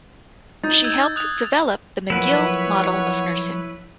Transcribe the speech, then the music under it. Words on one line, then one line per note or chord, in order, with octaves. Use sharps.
She helped develop the McGill Model of Nursing.
D#4 A6
E6 G6 G#6
D#6 F#6 F7
F3 F#3 A#3 E4 B4 C#5 F#5